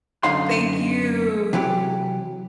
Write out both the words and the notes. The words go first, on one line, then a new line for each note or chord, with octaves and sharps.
Thank you.
F#2 D3 D#4 F5 C6
C3 E3 F#3 G4